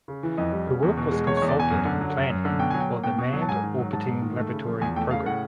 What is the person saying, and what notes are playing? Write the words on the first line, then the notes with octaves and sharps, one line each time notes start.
Her work was consulted in planning for the Manned Orbiting Laboratory Program.
C#3
E3
F2 D#5
G3
C#3
E2
B2
G#3
E2 C#5
C#5
E2
D5
B2 G#5
F#2
D3
F#3
F#2
F#2
D3
B2 G5
F#3 G#5
G5
A#3
B2 G5
B2
F#3
A5
G#2 G#5
D#3
F#3
G#2 A5
G#2
D#3
A3
C#3
F3
E2 G#5
A3 G5
C#3 F5
A2 F#5